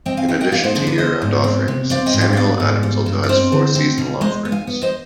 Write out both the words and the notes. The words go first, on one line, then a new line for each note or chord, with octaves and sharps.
In addition to year-round offerings, Samuel Adams also has four seasonal offerings.
C4 D#5 G5
F5 G#5
B2 D#5 G5
D#5 G5
B3 D5 F5
C5 D#5
D3 G#4 C5
B4 D5
B3 C5 D#5
G#2
C4
C3
C4 D5 F5
D#5 G5
G#2
D5 F5
G5
B3 D5 F5
G#2
G3
G2
D5
C4 C5 D#5
D3
C4
B2
G#3 C5 D#5
B3
F5 G#5
B3
C5 D#5